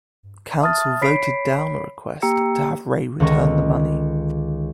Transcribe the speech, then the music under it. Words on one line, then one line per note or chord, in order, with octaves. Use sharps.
Council voted down a request to have Rae return the money.
E5 A5 D#6 F6 A6
C#5 B5 B6 C7 D7
A#3 G4 G5 A#5 E6 C#7
C#2 D3 D#3 D#5 C#6